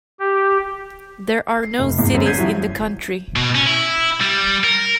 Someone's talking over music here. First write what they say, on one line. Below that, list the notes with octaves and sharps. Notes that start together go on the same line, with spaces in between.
There are no cities in the country.
G4
C7
F1
G#1 E2
F#2 D3 C4 D4
G6 G#6 B6 C7 D#7
F3 F#3 E4 F#4
B2
C#4
E4
G3
A#4